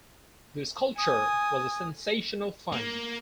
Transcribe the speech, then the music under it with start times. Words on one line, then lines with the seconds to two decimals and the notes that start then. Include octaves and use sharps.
The sculpture was a sensational find.
0.98 G#5 D#6
2.72 A#3